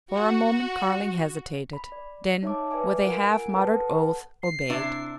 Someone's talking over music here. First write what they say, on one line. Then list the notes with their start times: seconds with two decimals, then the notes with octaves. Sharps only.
For a moment Carling hesitated; then, with a half-muttered oath, obeyed.
0.13 F#4
1.73 B5
1.92 D5
2.43 D#4 C#5 E5 A5 D6
2.71 B4 D5 E5 G#5 D6
3.02 F4 A#4 F#5 G#5 D7
3.53 A4 B4 F#5 A5
4.43 C7
4.70 C3 D4 E4